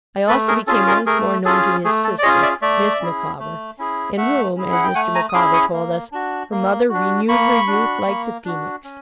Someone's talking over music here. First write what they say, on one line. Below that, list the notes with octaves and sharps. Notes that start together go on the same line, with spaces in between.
I also became once more known to his sister, Miss Micawber, in whom, as Mr. Micawber told us, 'her mother renewed her youth, like the Phoenix'.
A3 A4 B4
G#4 A#4
C#4 F4 G#4 A4
G#4 A#4
A3 G#4 A#4
C#4 F4 G#4 A4
A3 G#4
A4
D5
C#4 F4 G#4 C#5 D#5
D5 E5
A3 D5 E5
C#4 E4 G#4
A3
C#4 E4 G#4
A3 E5 F#5
C#4 E4 G#4
F#5
G5
A3 F#5 G#5
G#5 A#5
D#6
C#4 E4 G#4 C6 D6
C#6 D#6
A#3
D4 F#4
A#3
D4 F#4
A#3 B5 C#6
D4 F#4
A#3
D4 F#4
C#4